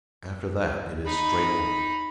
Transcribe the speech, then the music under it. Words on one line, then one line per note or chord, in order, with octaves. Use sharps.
"After that it is straight away."
D#4 B5